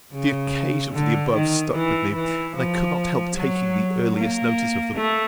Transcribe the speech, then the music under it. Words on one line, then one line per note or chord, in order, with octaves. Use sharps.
The occasion for the above stuck with me; and I could not help taking the earliest notice of them.
C#3
D3
D#3
E3
E3
F3
F#3
A#3
A3